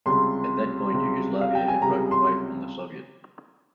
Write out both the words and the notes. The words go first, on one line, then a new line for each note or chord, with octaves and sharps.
At that point, Yugoslavia had broken away from the Soviets.
C#2 C3 G3 C6
C#2 C3 G3
F5
G5
G#5
C#2 C3 G3 A#5
C6